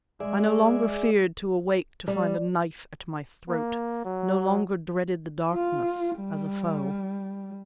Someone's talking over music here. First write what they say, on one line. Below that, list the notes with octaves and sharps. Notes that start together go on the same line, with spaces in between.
I no longer feared to awake to find a knife at my throat, no longer dreaded the darkness as a foe.
G#3 G#4 D5 E5
G3
A#3
F#3
F4
G3